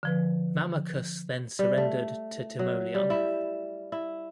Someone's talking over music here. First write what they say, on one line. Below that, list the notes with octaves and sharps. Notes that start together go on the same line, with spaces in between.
Mamercus then surrendered to Timoleon.
D3 F3 B4
G3
A3
F#3
G3
E4
E4